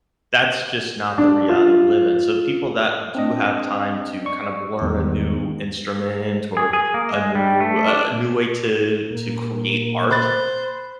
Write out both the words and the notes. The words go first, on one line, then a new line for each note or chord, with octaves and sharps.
that's just not the reality we live in. So people that do have time to kind of learn a new instrument or a new, uh, new way to to create art,
D4
F4
C4 D4 D#5
D5 C#6
E2 D#3 G3 B3 D#4
G#4
G#4
A#3
G#3
G3
A3
D4
A#2 A#3
C5 B5 F#6 A6